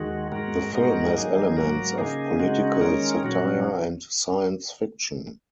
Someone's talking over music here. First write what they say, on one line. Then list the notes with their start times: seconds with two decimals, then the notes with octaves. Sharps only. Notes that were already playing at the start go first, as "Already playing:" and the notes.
The film has elements of political satire and science fiction.
Already playing: D#2 D#3 G#3 F#4
0.32 G#2 G#3 F#4 A#4
0.73 G#2 G#3 D#4 F#4 A#4
1.15 D#3 F#3 A#3 D#4 G#4
1.56 G#2 F#3 A#3 F#4 A#4
1.98 C#3 A#3 D#4 G#4
2.40 C#3 G#3 D#4 F#4
2.81 D#3 G#3 C#4 A#4
3.23 A#2 F#3 C#4 F#4